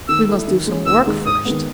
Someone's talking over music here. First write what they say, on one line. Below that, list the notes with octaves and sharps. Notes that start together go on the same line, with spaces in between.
"We must do some work first."
D#3 E6
A3 E4
D#3
G#3 C#4
D#2 E6
D#3 G#3 D#4
G#2 D#6
D#3 G#3 B3